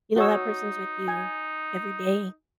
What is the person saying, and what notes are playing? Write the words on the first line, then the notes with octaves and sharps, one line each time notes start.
you know, that person's with you every day
D#4 F#4 C#5 E6
G#5